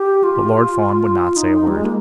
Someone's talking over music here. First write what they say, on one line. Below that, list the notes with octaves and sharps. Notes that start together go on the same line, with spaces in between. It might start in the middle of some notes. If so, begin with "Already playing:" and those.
But Lord Fawn would not say a word.
Already playing: G4
F4
D#4
G3
G#3
A#3